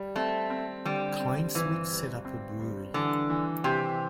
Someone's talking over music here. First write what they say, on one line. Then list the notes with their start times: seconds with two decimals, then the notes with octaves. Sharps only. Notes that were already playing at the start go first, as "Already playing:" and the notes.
Kleinschmidt set up a brewery.
Already playing: G3
0.16 A3 C4
0.50 C4
0.85 D3 G3
1.20 C4
1.55 G1 E3
1.90 G3
2.25 C4
2.59 G3
2.94 D3 E3
3.29 E3
3.64 C3 G4